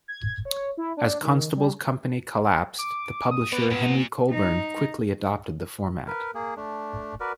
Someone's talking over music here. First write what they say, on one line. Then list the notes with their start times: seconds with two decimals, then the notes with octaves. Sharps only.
As Constable's company collapsed, the publisher Henry Colburn quickly adopted the format.
0.08 G#6
0.45 C#5
0.77 E4
0.97 D4
1.23 D#3
1.56 G3
2.79 D6
3.31 D#6
3.52 B3 F#4 D5
3.71 A#2
4.32 D#4
6.07 A#4 B4
6.35 A#3 G#4
6.57 A3 D4
7.20 F#4 A#4 B4 D5